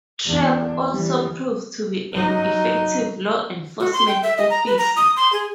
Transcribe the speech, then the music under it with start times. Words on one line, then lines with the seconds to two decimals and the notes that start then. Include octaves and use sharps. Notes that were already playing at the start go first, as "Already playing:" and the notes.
Trapp also proved to be an effective law enforcement officer.
0.25 E2 D4
0.92 E3 G3
2.13 F#3 D#4
3.80 F#4
3.93 C6
4.08 G5
4.23 E5
4.37 D#5
4.50 A#5
4.66 B4
4.78 A#5
4.97 D#6
5.16 C6
5.33 G#4